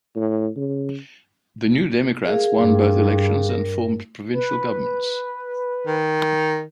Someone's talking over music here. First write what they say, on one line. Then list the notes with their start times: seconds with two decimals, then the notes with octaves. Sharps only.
The New Democrats won both elections and formed provincial governments.
0.16 A2
0.56 C#3
2.25 G#4 A#4 F5
2.59 G2
3.49 A#4
4.33 B4
5.86 D#3